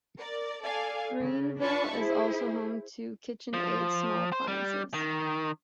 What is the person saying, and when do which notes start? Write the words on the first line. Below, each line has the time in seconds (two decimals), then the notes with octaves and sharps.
Greenville is also home to KitchenAid small appliances.
0.19 A#4 D5
0.63 A4 D5 F5 G#5
1.20 C#3
1.60 D4 F4 B4 A5 B5 C#6
1.95 E4 G#4 C5
3.53 F3
4.32 C5
4.48 G3
4.94 D#3